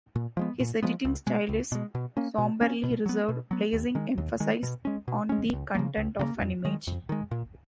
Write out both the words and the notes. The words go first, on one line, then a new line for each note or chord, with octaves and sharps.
His editing style is somberly reserved, placing emphasis on the content of an image.
A#2
F3 G#3 B3
A#2
F3 G#3 B3
C#2
B2 G#3
C#2
B2 G#3
B2
A#3 C#4
B2
A#3 C#4
B2
F#3 B3
B2
F#3 B3
D#2
D#3 G#3
D#2
D#3 G#3
B2
G#3 C#4
B2
G#3 C#4
C#2
C#3 F3 A#3
C#2
C#3 F3 A#3
F2
D#3 G#3
F2
D#3 G#3
A#2